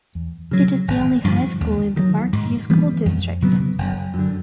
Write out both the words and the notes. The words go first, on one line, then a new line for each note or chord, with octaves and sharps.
It is the only high school in the Parkview School District.
E2
C#3 F#3
G#1
G2 D3 F3
D#2
D#3 F#3
G#2
E3 G3 B3
F2
C#3 F#3 B3
F#1
F#2 D3